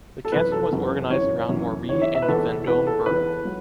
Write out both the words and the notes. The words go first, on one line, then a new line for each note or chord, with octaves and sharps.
The canton was organized around Morée in the Vendôme borough.
A4
F#2 E3 B4
A4
F#2 E3
F#2 E3 C#5
F#2 E3
E2 E3 C#5
E5
E5
B4
E2 E3 A4
E2 E3 B4
A4
E2 E3 B4
F#3